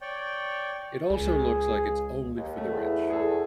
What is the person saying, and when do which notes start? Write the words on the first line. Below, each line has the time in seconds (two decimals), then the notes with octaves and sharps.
it also looks like it's only for the rich.
0.01 C#5 D5 G5
1.10 C#2 G#4
2.37 D#2
2.58 A3
2.71 E2
3.10 G#4 A4